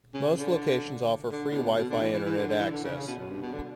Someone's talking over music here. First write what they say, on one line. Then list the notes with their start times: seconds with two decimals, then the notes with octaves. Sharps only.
Most locations offer free Wi-Fi internet access.
0.14 C#3
0.38 D3
1.32 D3
1.51 A2
1.54 B2
1.78 B2
1.90 D3
2.01 E3
2.13 E3
2.25 E3
2.37 D3
2.48 D3
2.60 E3
2.72 D3
2.83 C#3
2.95 C#3
3.06 B2
3.18 F#2
3.30 G2
3.42 B2
3.53 D3